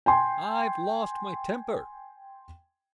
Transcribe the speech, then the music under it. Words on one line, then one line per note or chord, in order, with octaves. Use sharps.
I've lost my temper.
G5 G#5 C6